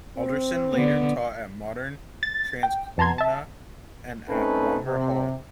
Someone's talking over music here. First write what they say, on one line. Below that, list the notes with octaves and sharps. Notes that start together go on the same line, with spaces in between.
Halldorson later taught at Morden, Transcona and at Balmoral Hall.
C4
D3 B3
A6
G5
F2 A5 A#5 C6 G#6
E5 A5
A3 C4 C#4 D#4 A4 B4
C3